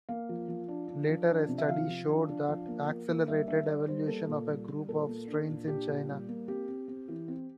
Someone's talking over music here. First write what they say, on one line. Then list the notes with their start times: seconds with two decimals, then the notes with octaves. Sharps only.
Later a study showed that accelerated evolution of a group of strains in China.
0.09 A#3 F5
0.29 F3
0.48 F3
0.68 D4
0.88 D4
1.09 F3
1.29 D4
1.48 C3
1.58 E5
1.68 F3 F5
1.88 F3
2.08 D4
2.29 D4
2.48 F3
2.68 A#3
2.88 A#3
3.08 A#3
3.28 G3 E5
3.48 D4 E5
3.68 G3 D5
3.88 G3 C5
4.08 A#3 A4
4.28 A#2
4.48 G3
4.69 G3
4.88 A#2 A4
5.08 A#3
5.28 D4
5.48 A#2
5.67 D4 G4
5.87 A#2
6.08 G3
6.28 A#3
6.48 C4 G4
6.68 C4
6.88 C4
7.08 E3
7.28 C4